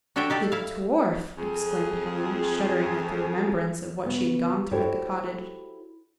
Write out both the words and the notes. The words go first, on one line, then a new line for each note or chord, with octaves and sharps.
"The dwarf!" exclaimed Helen, shuddering at the remembrance of what she had gone through at the cottage.
D4 F#4 A4 C#5 E5 G5
D#4 G4 A4 D5
E4 F5
F2 G#4
C#3 B3
E4 F#4 G4 A4 C5 C#5